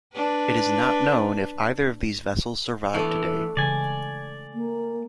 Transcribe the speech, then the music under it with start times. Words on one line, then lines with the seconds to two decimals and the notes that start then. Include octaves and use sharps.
It is not known if either of these vessels survive today.
0.13 D4 B4
2.94 E3 A3 B3 D4
3.57 C#3 E3 G#3 D5 G#5
4.54 A#3